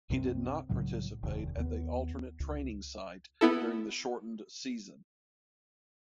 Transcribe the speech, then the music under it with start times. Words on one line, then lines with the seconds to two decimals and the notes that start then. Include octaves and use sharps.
He did not participate at the alternate training site during the shortened season.
0.10 C2 F#2 C3 C4
0.69 C2 A2 C#3 F#3
1.23 F1 D#2 C3
1.57 D#2 B3
2.40 C#2
3.41 B3 E4 A4